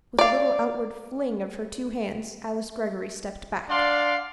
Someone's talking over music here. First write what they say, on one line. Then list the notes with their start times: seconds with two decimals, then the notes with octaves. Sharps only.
With a little outward fling of her two hands Alice Greggory stepped back.
0.19 D5 F5
3.69 D4 D5 F5 F#5 C6